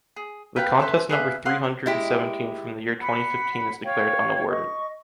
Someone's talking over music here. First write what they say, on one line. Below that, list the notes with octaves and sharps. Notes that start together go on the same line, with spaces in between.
The contest number three hundred and seventeen from the year twenty fifteen is declared unawarded.
G#4
B4 F5 G5 B5
A4 B4 C5 E5
G#4 B4 E5 F5
F5 F#5 C6 D#6
G#3 E4 G4
F#5 B5
C#5 F5 G5
D#5 C#6